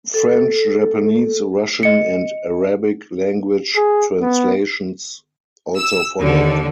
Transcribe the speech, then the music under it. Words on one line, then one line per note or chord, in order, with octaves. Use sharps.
French, Japanese, Russian, and Arabic language translations also followed.
A4
D#5 C#7
G#4
B3
E6
D#2 D3